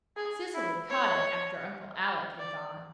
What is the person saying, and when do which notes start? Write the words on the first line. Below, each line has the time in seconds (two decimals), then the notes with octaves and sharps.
Cecily "caught it" after Uncle Alec had gone.
0.16 G#4
0.54 E4
0.90 C#5
2.39 D5